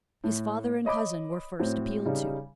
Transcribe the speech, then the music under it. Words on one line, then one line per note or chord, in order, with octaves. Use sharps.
His father and cousin were first appealed to.
A2
C#5 D#5 B5 D6
A2 F#3 C4
C#3 G3 D#4